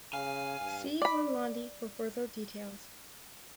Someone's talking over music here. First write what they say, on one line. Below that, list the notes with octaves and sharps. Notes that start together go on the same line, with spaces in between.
See Vanlandi for further details.
C#3 F5 G#5
G2
D5 B5